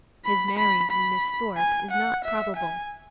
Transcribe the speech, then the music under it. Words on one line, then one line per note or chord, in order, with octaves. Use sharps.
His marrying Miss Thorpe is not probable.
B5
B5
B5
G#5
F#5
E5
G#5